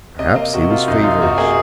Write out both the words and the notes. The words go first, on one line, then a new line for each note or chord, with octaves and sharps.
Perhaps he was feverish.
C3 D#5
F5
A#3 D#5
C3 F#4
C3 F4
F#2 D#4
F#2 F4
F#2 F#4
A#3 G#4